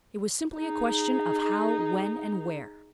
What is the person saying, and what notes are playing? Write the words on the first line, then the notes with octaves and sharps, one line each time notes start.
It was simply a question of how, when, and where.
D#4 G#4